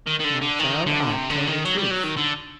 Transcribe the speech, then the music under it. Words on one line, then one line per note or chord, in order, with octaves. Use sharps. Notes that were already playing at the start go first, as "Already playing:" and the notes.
Now, child, I tell the truth.
D#3
D#3
D3
D3
D#3
D3
C3
D3
D#3
F#3
G3
F#3
D#3
D3